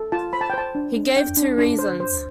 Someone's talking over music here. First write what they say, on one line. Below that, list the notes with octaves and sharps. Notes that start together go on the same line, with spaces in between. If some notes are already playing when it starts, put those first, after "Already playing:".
He gave two reasons.
Already playing: A4
F4 A5
C5 B5
A5
G5
C5 A5
D4
D4
D4 G5
D4
D4
C5
C5